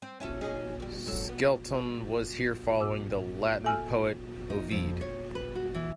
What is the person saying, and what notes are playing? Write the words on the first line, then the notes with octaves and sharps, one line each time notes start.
Skelton was here following the Latin poet Ovid.
C4
C#4 E4 A4
C#4 D#4 G#4
F2 G3
G#2 F#3 A4
B3
G#2 D6 E6
A4 E5 G#5 E6 F6
D#4
F2
C#5
B4
F#4
E3